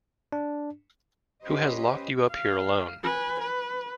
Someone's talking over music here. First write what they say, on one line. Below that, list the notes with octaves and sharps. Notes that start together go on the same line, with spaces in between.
Who has locked you up here alone?
D4
C#4 G4 B4 C5 D#5
F5
B4 G#5
B4